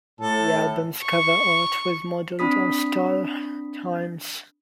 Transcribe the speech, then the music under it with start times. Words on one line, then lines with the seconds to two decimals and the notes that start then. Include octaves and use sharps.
The album's cover art was modeled on "Star Time"'s.
0.21 A2 A4
1.03 C#6
2.39 C4 D4 B5 D#6 B6